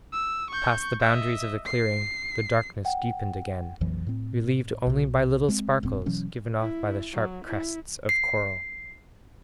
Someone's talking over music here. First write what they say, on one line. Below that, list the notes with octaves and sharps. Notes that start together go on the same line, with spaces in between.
Past the boundaries of the clearing, the darkness deepened again, relieved only by little sparkles given off by the sharp crests of coral.
E6
C#6 G6
D#5 E5
C7
F#5 G5
A#1 F2 E3 F#3
A2 C4
B1 B2
G#3 B3 C4
E1 A#2 C4
B2 E3 F#3 C#4
E4
F#3
E4
C7